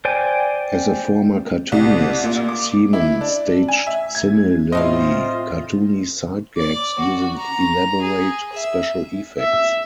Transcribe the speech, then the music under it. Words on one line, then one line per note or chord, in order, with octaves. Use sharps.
As a former cartoonist, Semon staged similarly cartoony sight gags, using elaborate special effects.
C5 D5 G5 G#5
C2
A#2
D6
E4
D4
G#5
E5
G#6
A2 A3 C4 F4 C5 D#5 F5
D5
F#4
A#5
G#4
E5
E5